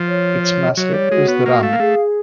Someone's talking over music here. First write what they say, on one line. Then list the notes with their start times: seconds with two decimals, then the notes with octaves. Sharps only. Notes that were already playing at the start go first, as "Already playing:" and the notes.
Its mascot is the ram.
Already playing: F3
0.08 C#5
0.42 C#5
0.77 F#3 C#5
0.94 G3
1.11 G#3 F#4
1.28 B3
1.46 A#3 F5
1.63 A3
1.73 A#3
1.80 A3 G#4